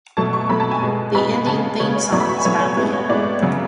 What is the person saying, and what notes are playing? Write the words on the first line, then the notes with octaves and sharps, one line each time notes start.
The ending theme song is by Lia.
B2 F#3 A3 A5
C#6
B2 F#3 A3 B5
A5
G#5
B2 G#3 B3
B2 G#3 B3 B5
C#3 G#3 B3 A5
C#3 G#3 B3 C#5
C#5
A2 F#3 B3 D5
B5
C#6
G#5
A2 F#3 B3 C#5
C#5
A2 G#3 B3 B4
C#5
A2 G#3 B3 D5
C#3 F#3 B3